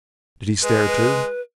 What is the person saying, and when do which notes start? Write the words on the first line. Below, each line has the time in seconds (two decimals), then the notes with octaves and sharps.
"Did he stare too?"
0.62 G#3 B4
0.87 B4